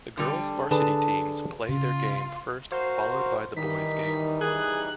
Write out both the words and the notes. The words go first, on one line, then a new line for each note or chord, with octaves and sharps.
The girls varsity teams play their game first followed by the boys game.
D3 G3
D3 G#4 B4 A5
C#3 F4
F#4 A#4 C5 F5
D#3 E3 G3 D#4 B6
G#4 F#6